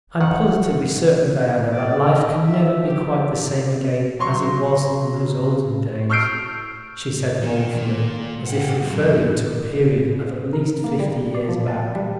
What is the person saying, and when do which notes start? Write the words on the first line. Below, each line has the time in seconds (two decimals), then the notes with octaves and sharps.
"I'm positively certain, Diana, that life can never be quite the same again as it was in those olden days," she said mournfully, as if referring to a period of at least fifty years back.
0.21 F2 D#3 F#5
1.73 D5
2.05 D#5
2.45 E5
2.85 G4
4.19 F#3 C6 C#6
6.10 C#6 E6 F6 G6 C7 D7
7.42 D#3
7.75 A#2
8.46 F5 F#5
8.83 F#2
10.53 A#4
10.84 A#3
11.00 G3
11.35 D5
11.49 F3
11.68 A5
11.96 G3